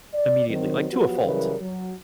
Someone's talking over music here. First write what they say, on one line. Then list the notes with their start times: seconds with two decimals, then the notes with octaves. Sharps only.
immediately- like, to a fault,
0.14 D5
0.48 D#3 F#3 C4
0.89 F3 F#3 B3 F#4 G4 B4
1.24 C#3 E3 F#3 G3 A#4 B4
1.60 F#3